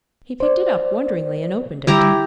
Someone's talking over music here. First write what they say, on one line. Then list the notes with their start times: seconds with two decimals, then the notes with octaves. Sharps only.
He picked it up, wonderingly, and opened it.
0.40 C5 D5
1.87 D3 G3 E4 G4 A#5